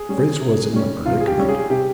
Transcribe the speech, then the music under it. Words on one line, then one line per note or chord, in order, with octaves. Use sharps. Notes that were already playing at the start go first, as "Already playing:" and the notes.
Fritz was in a predicament.
Already playing: G#4
G3 C#4
C3
G3 C#4
C3 F4
G#4
G4
G3 C#4
G#4
C3 G4